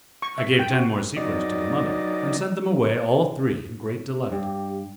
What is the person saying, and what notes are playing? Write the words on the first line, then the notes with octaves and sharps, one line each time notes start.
I gave ten more sequins to the mother, and sent them away all three in great delight.
C#6
E5
G5
F#4
F#3 D#4 D5 D#5
G2 G4